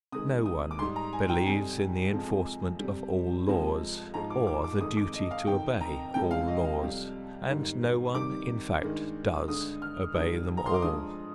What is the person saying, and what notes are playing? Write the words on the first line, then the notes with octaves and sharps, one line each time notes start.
No one believes in the enforcement of all laws or the duty to obey all laws, and no one, in fact, does obey them all.
C3 D#3 G#3 D#6
D#6
D6
G#2 G3 C6
A#5
G#5
G5
F2 C3 G3 G#5
F2 C3 F3 G#3
C3 G3
F2 C3 F3 G#3
G#2 F3 G#3 A#5
D6
D6
D6
F2 C3 D#3 G#3 D#6
D6
D#5
F5
F2 C3 D#3 G5
A#5
F2 C3 F3 G#3 G5
F5
D#5
F5
F2 C3 G3
G#2 D#3 G3
C3 D#3 G3 D6
G2 D#3 G#3
G2 D3 G#3 D#6
F6
F2 D#3 G3 D#6
A#5
C6
D6
G2 F3 G#3 D#6